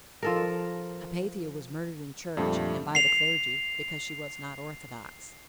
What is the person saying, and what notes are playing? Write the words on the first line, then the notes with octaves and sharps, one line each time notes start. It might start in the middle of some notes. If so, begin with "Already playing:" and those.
Hypatia was murdered in church, and by the clergy, because she was not orthodox.
F3 A4 A#4
F2 A#2 G3 A3 D4
C7 F7